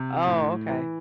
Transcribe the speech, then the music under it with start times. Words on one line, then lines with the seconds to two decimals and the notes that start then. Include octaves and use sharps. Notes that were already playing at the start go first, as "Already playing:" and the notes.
Oh, okay.
Already playing: C3
0.27 A2
0.69 E3